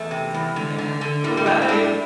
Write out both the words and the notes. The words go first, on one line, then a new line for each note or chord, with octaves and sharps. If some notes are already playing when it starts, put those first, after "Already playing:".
y-yeah, what about you?
Already playing: E2 A3
C3
E2
D3
D3
D3
A2 G3
G3
A2 A3
C4
A2 D4